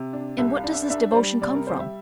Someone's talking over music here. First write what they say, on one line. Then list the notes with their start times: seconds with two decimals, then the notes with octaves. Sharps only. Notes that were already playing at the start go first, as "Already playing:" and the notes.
"And what does this devotion come from?"
Already playing: C3
0.13 D4
0.38 C2 E5
0.55 F5
0.64 D4
0.73 E5
0.90 D4 E5
1.11 C5
1.15 G3 D5
1.42 C3 D5
1.55 A#4
1.67 G3 C5
1.80 E5